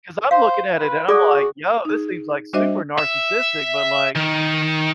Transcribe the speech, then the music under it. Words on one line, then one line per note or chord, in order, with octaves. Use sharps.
'Cause I'm looking at it, and I'm like, "Yo, this seems, like, super narcissistic," but, like
C5 F5
F4 B4
F#4 G#4 A4 D5 D6
D#4 G#4
G3 D4 F#4 C5 D#5 E5
E5
D#3